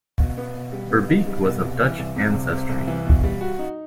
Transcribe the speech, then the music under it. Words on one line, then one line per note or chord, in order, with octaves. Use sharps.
Verbeek was of Dutch ancestry.
B2
B3
B2
G3
B3
D#4
G3
B2
C2
E3
C2
C3
C2
C3
C2
E3
B2
G3
F#4
D#4